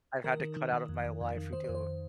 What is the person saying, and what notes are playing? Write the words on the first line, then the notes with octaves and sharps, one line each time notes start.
I had to cut out of my life who do
D#3 A#4
D#3
D#3
D#3
F2
F2
F2
D#3
D#3 C5
C5
F2
C5